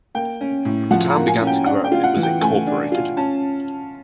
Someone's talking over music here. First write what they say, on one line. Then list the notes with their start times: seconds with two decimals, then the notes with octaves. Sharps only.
The town began to grow and it was incorporated.
0.15 A#3 G5
0.41 C#4
0.65 A2
0.91 F3 F#5
1.10 A#5
1.16 A#3
1.28 G#5
1.41 C#4
1.47 G5
1.66 D4 F#5
1.84 G5
1.92 F4
2.04 F#5
2.16 E3
2.23 G5
2.41 A3 G#5
2.67 D4
2.92 F4
3.17 C#4 A5